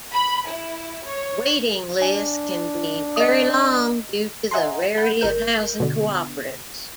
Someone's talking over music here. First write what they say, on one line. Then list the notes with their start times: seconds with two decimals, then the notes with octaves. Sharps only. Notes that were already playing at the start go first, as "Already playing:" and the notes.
Waiting lists can be very long due to the rarity of housing co-operatives.
0.12 B5
0.46 E4
1.05 C#5
2.02 D4 G#5
3.16 D#5 D#6
4.51 D#5 E5 F#5 G#5 A#5 C6
4.97 F#5 B5 G6
5.21 G1 A#4 G6
5.80 B2 D3